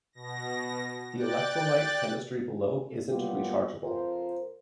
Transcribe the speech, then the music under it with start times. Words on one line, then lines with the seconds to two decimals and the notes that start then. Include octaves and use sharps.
The electrolyte chemistry below isn't rechargeable.
0.13 B2 A#6
1.15 D5 G5 F#6 A6
3.10 F#3 G3 A#3 B3 F4 G4
3.83 F2 F4 A#4 C5